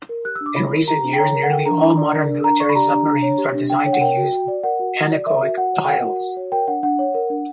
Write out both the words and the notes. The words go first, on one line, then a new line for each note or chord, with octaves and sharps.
In recent years, nearly all modern military submarines are designed to use anechoic tiles.
A#4
G4 F#6
E6
D4
D6
C#5 B5
A#4
G4 A#5
D4
G5
C#5 A#5
A#4
F#5
A#4 G5
D4 A#5
D4
D5
A#4
D4
D4 A#5
D5 C#6
B5
G4 A#5
D4
D4
C#5
G4
D4
D4 G5
C#5
F#5
A#4 G5
F#4
F#4
D5
A#4 F#5
F#4
F#4
D5
A#4 E5
F#4
F#4 F#5
C#5
G5
A#4 F#5
F#4
F#4
C#5
A#4 G5
D4 F#5
D4 F#5
C#5
A#4
D4